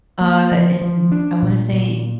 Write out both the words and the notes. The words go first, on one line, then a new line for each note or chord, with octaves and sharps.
uh, and I wanna say
A#3
F3
F3
D4
A#2
A#2